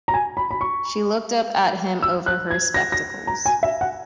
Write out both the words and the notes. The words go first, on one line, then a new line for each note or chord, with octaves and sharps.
She looked up at him over her spectacles.
A#5
G#5
B5
B5
C#6
E6
F#6
G#6
A#6
A#6
A#5
G#5
E5
F#5